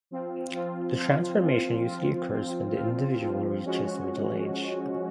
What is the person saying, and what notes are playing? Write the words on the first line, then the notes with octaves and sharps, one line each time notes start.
The transformation usually occurs when the individual reaches middle age.
F3 C4 F4
F3 C4 F4
F3 C4 F4
F3 C4 F4
F3 C4 F4
F3 C4 F4
F3 C4 F4
F3 C4 F4
F3 G#3 C#4 F#4